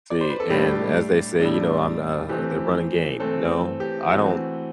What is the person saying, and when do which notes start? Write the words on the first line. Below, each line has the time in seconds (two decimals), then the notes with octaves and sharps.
See, and, as they say, you know, I'm, uh, the running game. No, I don't
0.10 D5
0.21 C5
0.30 B4
0.40 A4
0.50 A2 G3 D4 G4
1.40 A2 G3 D4
2.29 E3 A3 C4 G4
3.20 E3 A3 C4 A4
3.80 G4
4.09 E3 A3 C4 F#4